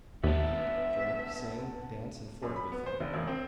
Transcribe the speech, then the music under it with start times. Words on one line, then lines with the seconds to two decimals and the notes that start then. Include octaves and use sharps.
We eat, drink, sing, dance, and flirt with them.
0.24 D#2 B3 D4 E5
2.42 F#2
2.56 B5
2.72 B3
2.86 C5
3.00 F1
3.14 E1
3.27 C4